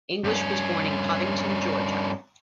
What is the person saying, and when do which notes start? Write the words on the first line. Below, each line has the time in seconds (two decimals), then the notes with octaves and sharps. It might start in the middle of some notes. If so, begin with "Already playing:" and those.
English was born in Covington, Georgia.
0.24 G2 C#4